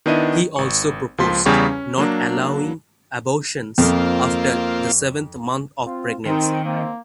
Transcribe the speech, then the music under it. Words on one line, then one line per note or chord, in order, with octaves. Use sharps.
He also proposed not allowing abortions after the seventh month of pregnancy.
D#3 B3 D4 E4 D#5 D#7
G#1 C#6
C#2 F3 A#3 C6 B6
E2 C#3 G3 G#4 G5 C#6
C#4
F#3 A#3 D4
F2 A#3 C4 F4
C4 F4
D#3 C4 D#4 A#4 C5
A#3 C4